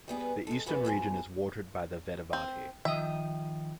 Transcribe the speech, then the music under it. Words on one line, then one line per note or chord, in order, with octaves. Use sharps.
The eastern region is watered by the Vedavati.
G3 B3 G#4
G#3 A4
F#2 E3 B3
F2 B2 G#4
C4
D#3 F3 D#5 E5